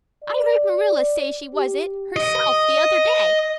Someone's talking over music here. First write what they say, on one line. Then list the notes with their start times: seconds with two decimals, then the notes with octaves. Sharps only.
"I heard Marilla say she was it, herself, the other day."
0.23 D5
1.54 G4
2.16 D#5